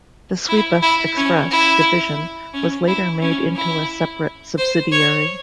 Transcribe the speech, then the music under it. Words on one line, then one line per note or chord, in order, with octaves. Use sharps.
The Swebus Express division was later made into a separate subsidiary.
E4
E4
C#4
E4
C#4
E4
C#4
E4
C5
C#5